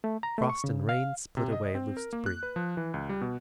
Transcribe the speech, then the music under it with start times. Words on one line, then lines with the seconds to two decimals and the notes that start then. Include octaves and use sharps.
Frost and rain split away loose debris.
0.04 A3
0.23 A#5
0.38 A3
0.49 C#6
0.64 C#3
0.89 F5
1.37 C3
1.52 D#5
1.75 C4
1.97 A#4
2.13 A#3
2.26 F#6
2.43 B4
2.56 F3
2.77 E3
2.94 C#2
3.09 G3
3.21 B2